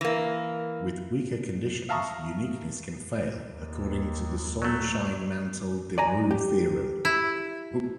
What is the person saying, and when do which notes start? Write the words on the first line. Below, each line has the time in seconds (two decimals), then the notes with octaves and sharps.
With weaker conditions, uniqueness can fail, according to the Sonnenschein-Mantel-Debreu theorem.
0.01 E3 A#3
1.89 E5 F5 A5 A#5 C#6 D#6
3.50 D#2
4.62 F#3 A3
5.98 D5 G#5 A#5
6.31 G4
7.05 E4